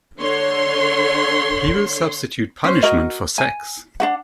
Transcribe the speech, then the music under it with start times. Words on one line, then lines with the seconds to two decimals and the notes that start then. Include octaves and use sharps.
He will substitute punishment for sex.
0.20 D3 C#5 C6
2.64 C#4 C5
2.83 F#4 A#4 D#5
3.38 G#5
4.00 D4 F#4 F#5